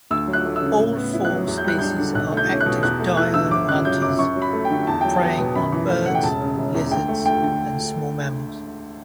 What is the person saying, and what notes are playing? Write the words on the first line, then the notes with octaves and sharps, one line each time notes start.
All four species are active diurnal hunters, preying on birds, lizards, and small mammals.
D2 E6
F#3
F#6
A3
E6
C#3
A2
B3
E4
F#6
F#3
E2
G6
G3 F#6
D4 G6
D3
B1 F#6
A3
G6
C#4
F#6
B2
E2 F#6
A3
E4 F#6
D3 E6
G1 D6
C#3 F#6
F#3 G6
F#2 D6
F#2 C#6
F#3
B5
A3
G5
D3
E2 A5
F#3 G5
A5
B3
B2
F#2 B5
E3
A3
C#3 F#5
G5
E1 A5
C#3
E1
E2
D2 G5
A3
D2 G5
D3